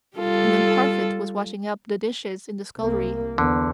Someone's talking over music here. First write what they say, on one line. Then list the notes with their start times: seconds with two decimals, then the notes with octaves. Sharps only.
And then Parfit was washing up the dishes in the scullery.
0.17 G3 F4 A4
2.78 C2 A#3
3.38 E2 D3